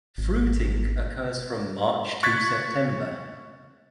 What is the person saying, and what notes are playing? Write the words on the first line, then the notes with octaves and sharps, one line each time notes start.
Fruiting occurs from March to September.
G#1
C#6 F#6 G#6 A6 B6